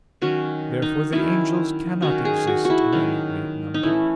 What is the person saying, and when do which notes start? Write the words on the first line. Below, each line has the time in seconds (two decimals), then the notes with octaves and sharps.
Therefore the angels cannot exist in any great number.
0.22 D#3 F#3 C#4 F#4
0.82 D#4
1.12 D#3 F#3 C#4 E4
2.02 D#3 F#3 C#4 F#4
2.25 G#4
2.47 F#4
2.65 F#4
2.70 E4
2.92 D#3 F#3 C#4
3.74 D#4
3.83 E3 A3 C#4 E4